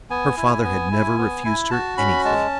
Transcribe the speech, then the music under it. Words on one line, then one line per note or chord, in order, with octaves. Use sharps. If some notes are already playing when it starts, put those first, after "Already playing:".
Her father had never refused her anything.
B3 G#5
E4
B3
E4
B3
E4
F#4 A5
C#4 B5
G#3 A5